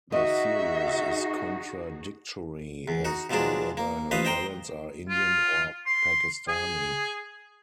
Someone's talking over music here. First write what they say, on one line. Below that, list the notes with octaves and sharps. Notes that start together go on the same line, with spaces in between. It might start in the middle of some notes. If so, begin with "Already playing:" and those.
The series is contradictory as to whether her parents are Indian or Pakistani.
D#4 F#4 G#4 D#5 E5
E2
D#4 F#4
B2 F3 F#3 G#3 D4
A#3
A1 F3 B4 D#5 F5
C5 D#5 G5 A#5 C6
F4
C6
G#4